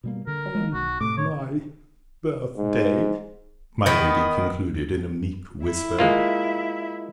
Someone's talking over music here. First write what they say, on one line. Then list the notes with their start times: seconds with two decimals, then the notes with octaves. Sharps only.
"On my birthday," my Lady concluded in a meek whisper.
0.04 B2 G3 A#3
0.27 D3 A#4
0.55 G#3 A#3
0.74 B1 F#4
1.01 A2 C3 A3 D6
1.18 C#5
2.58 G#2
3.86 D#3 B3
5.64 E4
5.99 G#3 A#3 F4